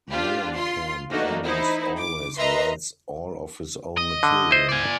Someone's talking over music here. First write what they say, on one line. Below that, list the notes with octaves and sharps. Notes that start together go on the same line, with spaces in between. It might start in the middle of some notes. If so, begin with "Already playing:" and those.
Mellencamp almost always writes all of his own material.
D4 F4 G4
F4 C6
E3 A3 A#3 D4 D#4 F#4
D#4 E4 C5
D6
A#4 B4 D#5 E5 A#5 C6
D#5
D3
E4 C5
D5 G#5